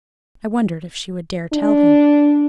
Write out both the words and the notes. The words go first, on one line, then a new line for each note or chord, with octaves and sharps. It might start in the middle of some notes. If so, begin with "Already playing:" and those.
I wondered if she would dare tell him.
D4